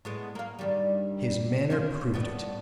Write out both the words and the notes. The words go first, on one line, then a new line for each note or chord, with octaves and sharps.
His manner proved it.
A2 G#3 B3
A#3 F5
G2 D#3 G3
A#3 C#4 F4
A2 G3 B3